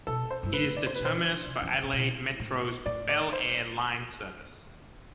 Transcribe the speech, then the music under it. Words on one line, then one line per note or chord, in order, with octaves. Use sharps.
It is the terminus for Adelaide Metro's Belair line service.
B2 A4
C5
G2
A2 B4
D5
C5
B4
B2 C5
C3
E3
D3
C3
B2
A2
A2 D5
D5
C5